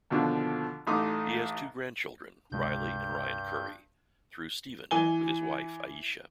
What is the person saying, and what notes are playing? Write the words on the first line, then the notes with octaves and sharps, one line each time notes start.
He has two grandchildren, Riley and Ryan Curry, through Stephen, with his wife Ayesha.
D#2 B2 D3 F3 D4
A1 A3 D#4 C6 D6 D#6
C#2 G2 C3 G#3 G6
E3 G#5 G7